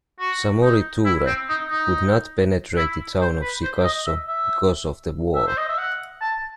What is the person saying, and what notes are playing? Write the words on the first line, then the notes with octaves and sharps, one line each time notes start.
Samori Toure could not penetrate the town of Sikasso because of the wall.
F#4
D#4
E4
C4
D#4
D#4
E4
C5
B4
C5
D#5
E5
E5
E5
C5
D#5
E5
F#5
A5